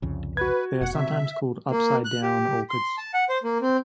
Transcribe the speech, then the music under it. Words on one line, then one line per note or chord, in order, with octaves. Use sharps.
They are sometimes called upside-down orchids.
C2 F2 C#3
F#4 B4 G#6
F1 B2 F#5
C3 E5
A#3
F#6
G4
C6
A5
F#5
C5
A#3
C4